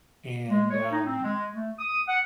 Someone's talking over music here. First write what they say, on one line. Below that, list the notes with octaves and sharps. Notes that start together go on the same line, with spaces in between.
And, um,
G#3
C#5
D#4
C4
G#3
A3
D#6
F#5